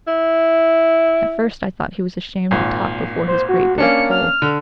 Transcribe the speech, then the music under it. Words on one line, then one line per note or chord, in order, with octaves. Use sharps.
At first I thought he was ashamed to talk before his great big Pole.
E4
G#1 A#2
C5
F#4
A#3 C#4 D4 C#7
F6
D3